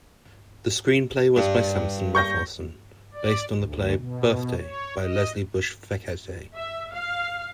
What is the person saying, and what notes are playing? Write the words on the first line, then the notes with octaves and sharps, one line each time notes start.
The screenplay was by Samson Raphaelson based on the play "Birthday" by Leslie Bush-Fekete.
G2
C#6 G6 A#6
D5
D2
B2
C#5
D#5
E5
F5